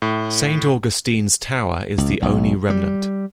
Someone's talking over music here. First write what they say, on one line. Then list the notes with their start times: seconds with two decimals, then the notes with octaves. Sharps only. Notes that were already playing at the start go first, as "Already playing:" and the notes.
Saint Augustine's Tower is the only remnant.
0.02 A2
1.98 C#2
2.22 B1
2.70 G3